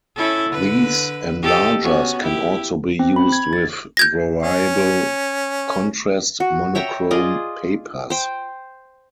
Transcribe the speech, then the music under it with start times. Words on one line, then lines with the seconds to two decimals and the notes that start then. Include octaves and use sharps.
These enlargers can also be used with variable-contrast monochrome papers.
0.16 C#4 E4 A4
0.49 D3 B4
1.42 G4 A4 D#5
1.82 B3 C#4 F#4
2.22 E4 G4
2.99 C4
3.16 B5
3.32 G#6
3.53 A6
3.97 G6 G#6 A#6
4.43 C#4
6.40 F#4
6.75 C#5 E5 G5 A#5
7.11 F4 G#4 D5 D#5
8.10 C5 G5